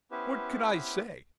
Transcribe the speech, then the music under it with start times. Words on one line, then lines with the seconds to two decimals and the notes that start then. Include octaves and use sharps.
What could I say?
0.11 B3 C#4 E4 G4 B4 C5